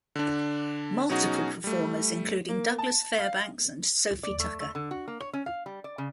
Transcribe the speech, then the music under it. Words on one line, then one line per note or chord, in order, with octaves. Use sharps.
Multiple performers including Douglas Fairbanks and Sophie Tucker.
D3 D4
B2 F#3 C#4 D#4 F#4 G#4
G3 A3
A#3
A5
F5
D5
A3
A3
D3
F#4
A#3
C#5
C#4
F5
G3
D5
C#3